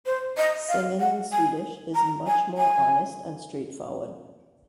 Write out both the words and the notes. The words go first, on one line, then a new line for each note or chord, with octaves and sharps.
Singing in Swedish is much more honest and straightforward.
C5
D#5
F5
F#5
G#5
A#5
G#5
G#5